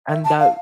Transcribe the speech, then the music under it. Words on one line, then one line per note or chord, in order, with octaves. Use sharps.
And that
E5
A5
F5